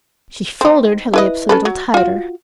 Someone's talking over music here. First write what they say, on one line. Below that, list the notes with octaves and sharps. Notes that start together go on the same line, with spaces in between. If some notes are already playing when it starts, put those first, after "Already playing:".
She folded her lips a little tighter.
C4 D#4
E4 B4 D#5
C#4 A4 B4
F#3
F4 F#4